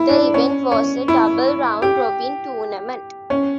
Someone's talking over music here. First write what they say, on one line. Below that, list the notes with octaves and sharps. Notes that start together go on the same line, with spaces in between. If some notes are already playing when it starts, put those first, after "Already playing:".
The event was a double round-robin tournament.
Already playing: E4
D4
C#4
C#4
E4
G4
C#4